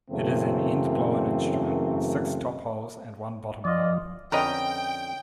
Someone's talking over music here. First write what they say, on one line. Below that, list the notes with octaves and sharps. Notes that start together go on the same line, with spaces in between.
It is an end-blown instrument with six top holes and one bottom hole.
F#2 C#3 E3 A3 A#3 C4
F3 F4 D5 D#5
F2 D3 C#4 A#4 B4 D#5 G5